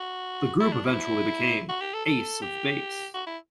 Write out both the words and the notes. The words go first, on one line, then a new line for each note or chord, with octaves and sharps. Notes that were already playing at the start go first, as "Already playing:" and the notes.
The group eventually became Ace of Base.
Already playing: F#4
E4
D4
E4
F#4
G4
A4
A4
G4
F#4
E4